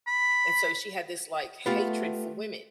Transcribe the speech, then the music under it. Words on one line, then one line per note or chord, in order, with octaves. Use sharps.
and so she had this, like, hatred for women,
B5
A3 B3 F4 G4